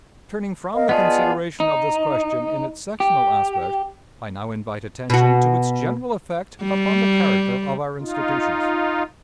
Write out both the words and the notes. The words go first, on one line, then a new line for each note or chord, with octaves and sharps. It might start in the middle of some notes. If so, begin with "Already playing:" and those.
Turning from the consideration of this question in its sectional aspect, I now invite attention to its general effect upon the character of our institutions.
A#4 D#5 F5
B3 F4 G#4 D5 F5 A5
D#4
G4
B2 F#4
G3
D#4 F4